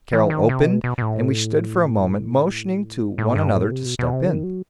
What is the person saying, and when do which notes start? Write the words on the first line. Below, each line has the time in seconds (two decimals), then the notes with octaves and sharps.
Carroll opened, and we stood for a moment motioning to one another to step in.
0.13 E3
0.30 D#3
0.49 C3
0.66 B2
0.84 B2
0.98 B2
1.02 A2
3.18 A2
3.35 G2
3.54 A2
3.71 C3
3.86 B2
3.99 B2
4.13 C3
4.27 D#3
4.43 F#3